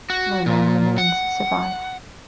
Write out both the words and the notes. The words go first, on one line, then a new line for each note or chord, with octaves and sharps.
No known remains survive.
F#4
A#2
F#5